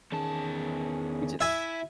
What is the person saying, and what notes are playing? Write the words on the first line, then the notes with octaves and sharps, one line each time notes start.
You just
E2 D#3 C#4 G#4 A5
E4 E5 G#5